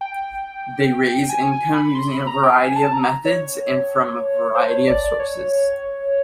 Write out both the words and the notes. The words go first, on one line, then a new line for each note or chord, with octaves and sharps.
They raise income using a variety of methods and from a variety of sources.
G5
G#5
G#5
B5
C6
B5
A#5
G5
G#5
A5
A#5
C#5
C5
C#5
D5
D5
C#5